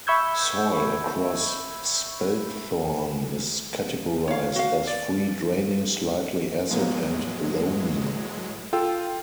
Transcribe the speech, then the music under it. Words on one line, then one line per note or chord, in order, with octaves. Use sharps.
Soil across Spelthorne is categorised as "free draining slightly acid and loamy".
E5 B5 C#6 E6 G6 G#6
C#5 F5
F#4 F5
D5
A2 F3 F#3 G#3 A#3 B3
F4 A4 G5 E6